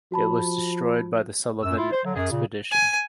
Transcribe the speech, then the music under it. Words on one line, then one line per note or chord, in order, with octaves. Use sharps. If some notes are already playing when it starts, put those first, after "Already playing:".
It was destroyed by the Sullivan Expedition.
F3 F#4 A5 B5
F#2 E6
E4 F4
C5
D3 F#3
F#2 G#4
A#2 C#3
G#5